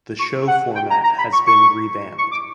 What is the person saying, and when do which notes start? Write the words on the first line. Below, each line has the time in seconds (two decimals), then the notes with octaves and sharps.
The show format has been revamped.
0.19 C#6
0.47 F#5
0.75 G5
0.90 A#5
1.04 A#5
1.18 B5
1.32 C#6
1.47 C#6
2.18 C#6
2.31 D6